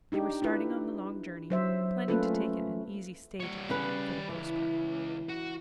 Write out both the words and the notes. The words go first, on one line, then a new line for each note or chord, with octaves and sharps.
They were starting on the long journey, planning to take it in easy stages for the most part.
D4 D#4 G4
D4 E4 F4 B4
F#3 C5 E5
A3 A#3 C#4 F4 A4 B4
G3 C#5
C#3 C#4 B4
C#2 E3
F#4